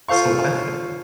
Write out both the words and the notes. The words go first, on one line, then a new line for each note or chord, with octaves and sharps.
So I thought.
F4 A4 C5 F5 C#6